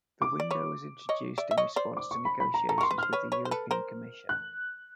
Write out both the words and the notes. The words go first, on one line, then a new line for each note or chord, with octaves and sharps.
The window was introduced in response to negotiations with the European Commission.
D6
D5
B4 C#5
C#5 D#5
D5 E5
E5
C#5 D#5
C5 D5
D6
C#6
B5
B5
A#5
A4 A#5
C#6
A#4 C6
B4
C5 F6
B4 C#5
B4 C#5
C5
A4 B4
A#4 C5
F#6